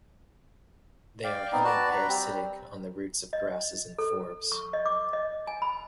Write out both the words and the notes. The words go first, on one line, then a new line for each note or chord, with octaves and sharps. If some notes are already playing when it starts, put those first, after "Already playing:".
They are hemiparasitic on the roots of grasses and forbs.
D5 F5 G5
B3 C4 D#4
F#4 B4 D5 A5
B4 A#5 B5
G3 C4
D#5
A4
C#6
D#5
D6
D#5
G#5
B5